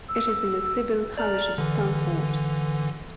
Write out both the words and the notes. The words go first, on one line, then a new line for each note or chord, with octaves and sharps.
It is in the civil parish of Stanford.
E6
D5 A#5 F6
D3 E3